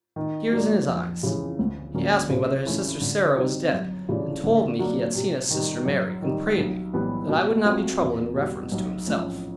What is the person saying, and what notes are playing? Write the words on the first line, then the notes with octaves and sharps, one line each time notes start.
With tears in his eyes, he asked me whether his sister Sarah was dead; and told me he had seen his sister Mary; and prayed me, that I would not be troubled in reference to himself.
D#3
F#3 A#3 D4
F2
C#3 E3
D2
D3 F#3 A#3 C#4
C#3
E3 A3 C#4 E4
D3
G3 C4 D#4 F#4
F#2
C#3 E3 A3 D4
D3
F#3 A#3 D4 F#4
C3
D#3 G3
F#2
D#3 G3
B1
A2 E3 G3 B3
B2
F#3 A3 C4 F4
E2
B2 G3
B1
A2 F3 A3 C#4